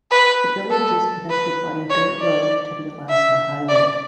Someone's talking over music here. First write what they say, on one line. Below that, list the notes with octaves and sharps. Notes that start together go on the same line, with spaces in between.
The village is connected by a dirt road to the Alaska Highway.
B4
A4
B4
C#5
D5
E5
D5